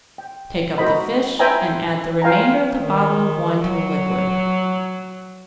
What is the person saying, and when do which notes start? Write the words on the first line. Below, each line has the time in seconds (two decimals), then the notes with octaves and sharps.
Take up the fish, and add the remainder of the bottle of wine to the liquid.
0.18 G5
0.78 D#4 F#4 A#4 C5 D#5 B5
1.39 B4 C5 E5 G5 G#5 A#5
2.22 B4 F5 G5 G#5 A#5
2.81 D#3
3.63 F#3